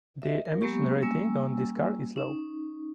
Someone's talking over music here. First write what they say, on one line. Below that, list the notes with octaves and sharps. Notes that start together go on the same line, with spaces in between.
The emission rating on this car is low.
D#5 E5
A#4
F#3 G#3 A#3 B3 G4 C#6
G3 A#3 C#4 G#5 E6
C#4 D#4